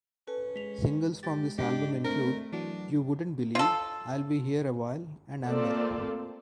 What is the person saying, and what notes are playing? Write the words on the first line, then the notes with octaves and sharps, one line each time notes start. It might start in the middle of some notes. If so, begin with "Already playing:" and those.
Singles from this album include "You Wouldn't Believe", "I'll Be Here Awhile", and "Amber".
C#4 A4 B4
G#3 B6 F7
G4 A6
G#2 D4 G4 D#5
A3 C4 D4 A#4 F6 D7
E3 F#3 D4 F#4
F4 A4
A3 A#3 C4 F4 A4 D5